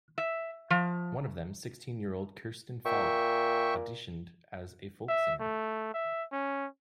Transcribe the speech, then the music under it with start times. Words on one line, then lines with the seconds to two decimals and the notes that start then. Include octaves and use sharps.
One of them, sixteen-year-old Kirsten Falke, auditioned as a folk singer.
0.18 E5
0.70 F3
2.85 A#2 E5 G5 C#6
5.08 E5
5.40 A3
5.94 E5
6.32 C#4